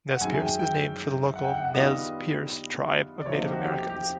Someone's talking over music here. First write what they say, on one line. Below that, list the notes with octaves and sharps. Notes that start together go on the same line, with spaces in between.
Nezperce is named for the local Nez Perce tribe of Native Americans.
F#5
F#2 D#3 G#3 G#5
G#5
G5
G5
F#5
G5
F#5
F#5
D#3 G3 B3 D4 F4 D#5
D5
C3 F3 A#3 D#4 C#5
G4
F#4
G4
G4
G4
G4